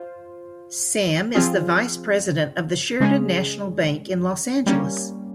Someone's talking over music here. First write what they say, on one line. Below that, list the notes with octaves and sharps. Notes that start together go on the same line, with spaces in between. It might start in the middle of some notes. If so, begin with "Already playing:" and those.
Sam is the vice president of the Sheridan National Bank in Los Angeles.
Already playing: F4 C5
F3 C4 F4 G#4
C#3 G#3 C#4 G#4
G3 A#3 C#4